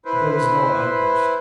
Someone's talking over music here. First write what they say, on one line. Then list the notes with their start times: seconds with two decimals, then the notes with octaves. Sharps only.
But there was no outburst.
0.05 E4 B4 C5